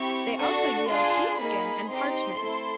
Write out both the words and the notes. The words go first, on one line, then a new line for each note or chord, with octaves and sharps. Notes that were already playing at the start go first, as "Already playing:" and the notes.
They also yield sheepskin and parchment.
Already playing: C4 E4 G4 C#6
D4 F#4 A4 C#6
D4 F4 G#4 C6
A#3 D#4 G#4 B5
C4 D#4 G4 C6
A3 C4 E4 A4